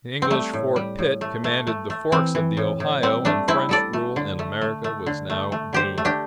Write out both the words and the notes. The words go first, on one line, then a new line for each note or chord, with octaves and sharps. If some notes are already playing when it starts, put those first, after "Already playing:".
The English Fort Pitt commanded the Forks of the Ohio, and French rule in America was now doomed.
C4
G3 A3
A2
G3
A2
A3
A3
A3
A3
E3 C4
E3
A2
A2
G3 C4
G3 A3 D4
G3 C4 E4
G3 A4 D5
A3
D3
A3
A3
A3
D3
A3
A3
D3 G4 C5
A3
D4 G4